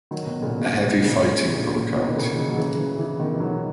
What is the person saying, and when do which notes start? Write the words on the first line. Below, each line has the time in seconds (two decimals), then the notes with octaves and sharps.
A heavy fighting broke out.
0.11 D#3 F#3
0.26 B2
0.41 A#2 C#3
0.56 B2
0.73 A#2
1.03 A#2 C#3
1.19 A#2
1.54 A#2 C#3
1.76 A#2
1.96 B2
2.07 D#3
2.16 A#2 C#3
2.36 C#3 E3
2.49 F#3
2.57 C#3 E3
2.78 C#3 E3
2.98 C#3 E3
3.19 B2 D#3
3.34 E3
3.40 D#3 F#3